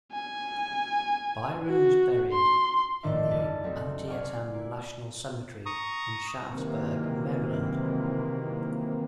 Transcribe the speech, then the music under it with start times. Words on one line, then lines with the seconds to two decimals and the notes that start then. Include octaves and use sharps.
Byron was buried in the Antietam National Cemetery in Sharpsburg, Maryland.
0.12 G#5
1.67 F#4
2.32 C6
3.03 G#1 F2 D#3 C#4 D4 E5
3.29 F#1 C2 G3 C#4 A5 B6
3.63 F#3 A3 C4 D#4
4.07 D5 F5 F#5 G#5 C#6
4.54 A#3 E4
5.66 A#5 C#6 D#6
6.51 C3 D#3 E3 F#3 A#3 C4